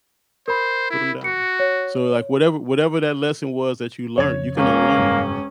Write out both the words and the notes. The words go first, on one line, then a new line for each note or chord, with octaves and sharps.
put 'em down." So, like, whatever whatever that lesson was that you learned, you can unlearn it.
A#4 C5 B5
E4
F#4 C#7
C#5
F2 C#3 C#5 G#6
E1 A#3 C#4
F#1 G#2 G3